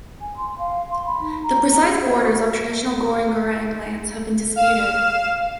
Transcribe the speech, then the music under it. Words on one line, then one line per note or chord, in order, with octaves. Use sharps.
The precise borders of traditional Goreng Goreng lands have been disputed.
G#5
C6
F5
C6
B5
D#4
A#5
A#5
G#4
C5
F#4
A#4
F5 E7